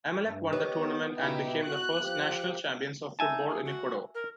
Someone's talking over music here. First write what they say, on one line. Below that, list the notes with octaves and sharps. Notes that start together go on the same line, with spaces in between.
Emelec won the tournament and became the first national champions of football in Ecuador.
G2
B3 G4 C#5 D#5
B2 D#4 E4 G4 B4
F#4 F#6
F3 G4
D#4 E5 G#5 A5
G#4
F#4
A#4